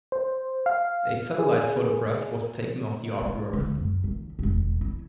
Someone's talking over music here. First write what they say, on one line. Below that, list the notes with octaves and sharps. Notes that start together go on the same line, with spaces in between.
A satellite photograph was taken of the artwork.
C5
F5
G#4
G#3
C#2 D3
F#2
D#2
E1 D#2
E4